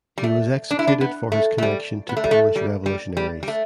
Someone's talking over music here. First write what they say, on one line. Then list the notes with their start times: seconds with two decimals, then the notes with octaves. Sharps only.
He was executed for his connection to Polish revolutionaries.
0.18 G3
0.24 A3
0.71 D4
0.79 E4
0.87 D4
1.01 B3
1.32 A3
1.58 A3
1.63 G3
2.09 B3
2.17 A3
2.24 G3
2.31 A3
2.56 G3
2.86 G3
3.17 G3
3.43 G3
3.48 A3